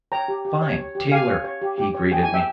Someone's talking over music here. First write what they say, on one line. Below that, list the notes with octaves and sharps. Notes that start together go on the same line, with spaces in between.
"Fine, Taylor!" he greeted me.
C#5 G5 A#5
G4
G4
C#5
C#5
G4
G4 F5 G#5
C#5
C#5
G4
G4
C#5
G#4 G5
G#5
E4
E5 G5